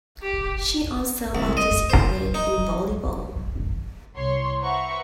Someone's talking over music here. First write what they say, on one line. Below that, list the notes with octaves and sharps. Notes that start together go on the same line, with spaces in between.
She also participated in volleyball.
G4
C2
D#5
C5
D#4
C2 C#5 C6 C#6
B4 C5 E5 F#5 A#5 C#6